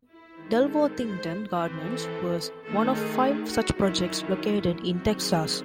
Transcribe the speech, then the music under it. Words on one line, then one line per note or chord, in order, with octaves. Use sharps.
Dalworthington Gardens was one of five such projects located in Texas.
E4
D#3 G#3 C4
A4
C5
E3 C4 C5
A4
D#3 A3 C#4 A4
G#4
F#4
D#3 F#3 C#4 E4
E4
D#3 F#3 C4 F#4
G#4